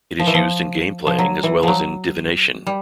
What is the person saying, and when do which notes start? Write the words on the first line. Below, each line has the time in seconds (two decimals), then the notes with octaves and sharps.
It is used in game playing as well as in divination.
0.20 F3
0.27 E3
0.35 F3
1.07 F3
1.19 F#3
1.43 E3
1.63 F3 F#3
2.67 G3